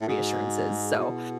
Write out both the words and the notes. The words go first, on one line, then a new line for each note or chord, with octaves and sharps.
reassurances, so,
A2
G#2 F#4 G#4
B2 E4 F#4